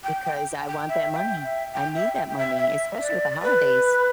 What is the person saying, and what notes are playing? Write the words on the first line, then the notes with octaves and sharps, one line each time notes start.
Because I want that money. I need that money, especially with the holidays.
G5
G5
G5
E5
E5
G5
E5
G5
E5
G5
G5
E5
E5
D5
B4